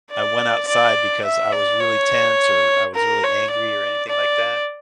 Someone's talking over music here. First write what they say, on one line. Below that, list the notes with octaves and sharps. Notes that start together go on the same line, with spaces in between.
I went outside because I was really tense," or, "I was really angry," or anything like that?
D5
D5
E5
D5
C#5
A#4
C#5
D5
D5